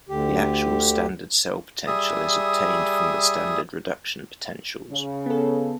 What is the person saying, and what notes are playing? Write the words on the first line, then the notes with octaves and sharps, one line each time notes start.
The actual standard cell potential is obtained from the standard reduction potentials.
D2 D3 G4
G3 G#4 E5 D#6
C#3
B3 A4